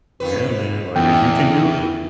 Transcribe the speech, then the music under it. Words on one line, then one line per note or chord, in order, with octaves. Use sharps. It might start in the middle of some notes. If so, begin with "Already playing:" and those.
Yeah, man. Like, if you can do it
F2 D#3 B4
E2 B3 E4 G5